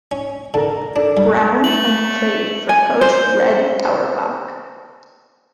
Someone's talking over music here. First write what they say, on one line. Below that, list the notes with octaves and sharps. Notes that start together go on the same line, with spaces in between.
Brown and played for coach Red Auerbach.
C#4
D3 A#4 A5
D4 A4 D5
G2
A3 F#7
G#5
C5